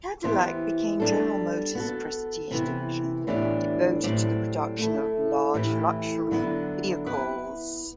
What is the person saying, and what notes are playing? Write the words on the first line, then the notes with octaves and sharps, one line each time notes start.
Cadillac became General Motors' prestige division, devoted to the production of large luxury vehicles.
E3 B3 E4 G4 C5
G3 B3 D4 A4
B3 F#4 A4
C3 E3 B3 E4
A2 E3 B3 D4 G4
A2 F#3 C4 G4 D5
A3 E4 A4
A2 E3 A3 E4 G4
D3 F#3 B3 E4
B3 E4 B4